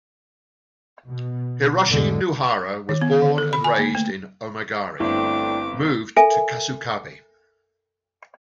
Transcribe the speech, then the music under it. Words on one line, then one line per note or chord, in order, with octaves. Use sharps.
Hiroshi Nohara was born and raised in Omagari, moved to Kasukabe.
B2
E2 G#2 B2 D3 G#3
D#3
B3
D3
A4
B5
G#5
A#3
A3
G1 A3 C4 D4 E4 G5 D6
A4 A#4 E5 G#5